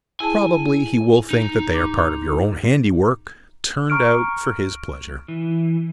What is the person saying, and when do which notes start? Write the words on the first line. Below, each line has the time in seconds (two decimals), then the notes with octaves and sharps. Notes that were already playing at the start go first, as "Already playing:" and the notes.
Probably he will think that they are part of your own handiwork turned out for his pleasure.
0.20 E4 G#4 G#5 A5
1.31 D#4
1.74 G#2 D6
3.90 A#5 C#6 F6 D7
5.28 E3